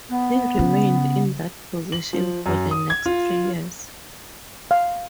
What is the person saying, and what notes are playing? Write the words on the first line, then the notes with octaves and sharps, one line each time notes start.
He remained in that position for the next three years.
B3
C#3
F#7
F3
F#2
D#6
G#6
F4
F5